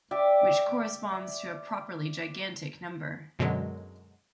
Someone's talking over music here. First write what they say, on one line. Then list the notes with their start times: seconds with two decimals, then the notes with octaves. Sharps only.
Which corresponds to a properly gigantic number.
0.11 G4 D5 E5
3.39 F#2 B2 D3 F#3 G#3